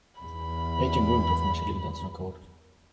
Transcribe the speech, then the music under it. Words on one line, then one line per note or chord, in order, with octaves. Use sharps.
Eight young women perform a cheerleading dance on a court.
E2 B5